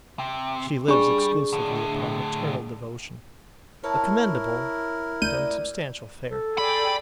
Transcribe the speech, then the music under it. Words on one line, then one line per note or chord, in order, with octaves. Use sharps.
She lives exclusively upon maternal devotion, a commendable but unsubstantial fare.
C3
G3 D4 G#4 C#6
A2 D3
E4 A#4 C#5 A5
D2 D5 G6 D#7
A4
G#4 D5 G5 B5